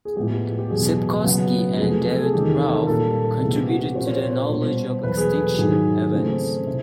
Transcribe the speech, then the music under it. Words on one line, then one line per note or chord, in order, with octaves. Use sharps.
Sepkoski and David Raup contributed to the knowledge of extinction events.
G#4
A2 F3 G#3 B3 G4
G4
E2 B2 F#3 G#4
C#3 F#3 B3
F2 C3 F3 A3 G#4
A4
G#4
E2 C3 D#3 G#3 C#4 G4
G#4
A4
A#4
A#2 G3 A#3 C#4 A4
C3 E3 G#3 B3 G#4
G4
F#4
G4
A#2 F3 A#3 C#4 C5
C#5
C5
C#5
B2 G3 B3 C5
E2 B2 F#3 B4
G#4
A4
G#4
G4
G#2 D#3 F#3 G#4
C#3 E3 A3 C4
C3